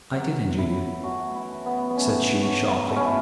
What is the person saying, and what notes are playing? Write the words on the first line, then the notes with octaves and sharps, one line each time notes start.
"I did injure you," said she, sharply.
F#2 F#3 B3
E4
F#2 E3 A3 F#4
E4
B3
B3
F#2 C#3 E3 A3 C#4
F#4
B2 A3 E4
C#4
E4